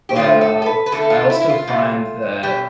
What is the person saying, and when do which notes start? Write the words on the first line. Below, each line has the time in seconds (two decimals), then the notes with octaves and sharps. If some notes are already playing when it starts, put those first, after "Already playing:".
But, uh, I also find that
0.09 G4
0.15 E2 D3 A3 C4 F4
0.41 A4
0.62 A4
0.66 B4
0.86 B4
0.92 E2 D3 A3 A4
1.10 F4
1.30 E4
1.40 E4
1.49 F4
1.67 E2 C3 E3 A3
2.43 E2 B2 G4